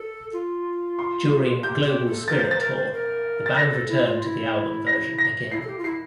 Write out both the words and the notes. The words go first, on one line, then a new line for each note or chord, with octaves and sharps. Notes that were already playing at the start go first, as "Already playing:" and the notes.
During "Global Spirit Tour" the band returned to the album version again.
Already playing: A4
F4
C6
G4 G6
G4
A4
A#4 A6
C5 G6
A6
A#4
C5
A#4
A6
A4 A#6
G4
A4
E4
F4
E4
A#6
A#6
E4 C7
A4
G4
F4
E4 C7